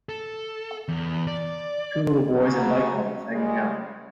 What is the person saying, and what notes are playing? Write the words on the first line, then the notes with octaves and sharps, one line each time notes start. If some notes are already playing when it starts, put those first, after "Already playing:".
Two little boys in bike helmets hanging out.
A4
E2
D5
C#3 F#3
C#3 G3 G#3